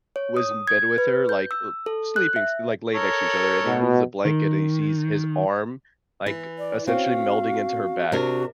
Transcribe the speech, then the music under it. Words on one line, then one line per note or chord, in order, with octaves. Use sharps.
was in bed with her, like, uh, sleeping s like, laying next to each other, and he moves a blanket and he sees his arm, like, essentially melding into her back.
C#5
D#6
G#6
B4
G6
E6
A4
F#6
E5
A4 A#4 C#5
B2
D#3
E3
D5
C4 C#4 F#4 F5
C3 D4 F#4 A#4